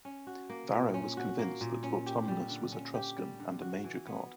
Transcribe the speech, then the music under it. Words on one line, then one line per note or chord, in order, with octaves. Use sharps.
Varro was convinced that Vortumnus was Etruscan, and a major god.
C#4
F#4
A#3
A#2
C#4
F#4
A#3
A#2
C#4
G4
G3
D3
C#4
G4
G3
D3
F#4
E3
B3